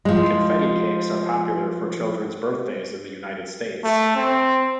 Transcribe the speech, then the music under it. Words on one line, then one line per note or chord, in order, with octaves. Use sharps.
Confetti cakes are popular for children's birthdays in the United States.
F3 G#3
A3
C4